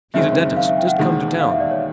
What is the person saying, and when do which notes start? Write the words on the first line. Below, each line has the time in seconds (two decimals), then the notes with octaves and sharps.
He's a dentist, just come to town.
0.14 F#1 F#2 D#3 G#3 C4 E5
0.56 F5
0.67 E5
0.77 G5
0.88 F#5
0.98 E1 D#2 D#3 G#3
1.40 F5
1.51 E5
1.60 D5
1.71 C#5